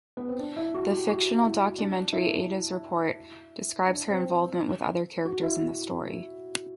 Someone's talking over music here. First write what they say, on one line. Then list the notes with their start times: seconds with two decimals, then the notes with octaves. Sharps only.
The fictional documentary "Ada's Report" describes her involvement with other characters in the story.
0.17 B3
0.29 C4
0.39 D4
0.57 E4
0.74 F#4
0.92 G4
1.09 F#4
1.44 E4
1.78 D4
2.13 E4
3.86 D4
4.10 C4
5.25 F#4
5.43 E4